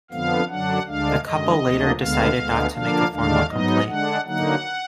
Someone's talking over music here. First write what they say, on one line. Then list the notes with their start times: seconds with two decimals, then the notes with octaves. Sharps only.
The couple later decided not to make a formal complaint.
0.11 F2 D3 F3 B3 F5
0.49 F#2 D3 F#3 D4 F#5
0.86 D2 D3 G#3 D4 F5
1.24 F#2 D3 G#3 D#5
1.62 D2 D3 F3 A#3
1.99 D2 D3 G#3 B3 F5
2.36 D2 D3 G#3 B3
2.74 D3 F3 A#3 D4 F5
3.12 D#2 D3 G#3 D4 F5
3.50 G#2 F#3 B3 D#4 D#5
3.88 D3 G#3 D4 F#5
4.25 D3 F#3 A#3 D#4 F#5